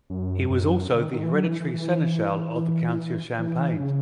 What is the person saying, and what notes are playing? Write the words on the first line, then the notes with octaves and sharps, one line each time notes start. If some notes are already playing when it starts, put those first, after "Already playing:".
He was also the hereditary seneschal of the County of Champagne.
F#2
F#2
C#3
D#3
D#3
E3
F#3
E3
E3
E3
E3
C#3